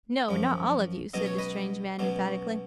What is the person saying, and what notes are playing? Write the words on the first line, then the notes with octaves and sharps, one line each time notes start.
'No, not all of you,' said the strange man emphatically.
F#2 F3
C#2 B2 F#3 D#5
C#5
B4 D#5
C#2 B2 F#3